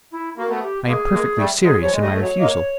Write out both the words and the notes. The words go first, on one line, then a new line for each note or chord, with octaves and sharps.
I am perfectly serious in my refusal.
E4
A#3 F#4
A3 B3
G4
G#3 A#3 G#4
G#3 A#3
G3 A3
F#3 G#3 G#4
F3 G3 C#5
G#3
G3 A3 D#5
A3
F#3 G#3 C#5
G#3 A#3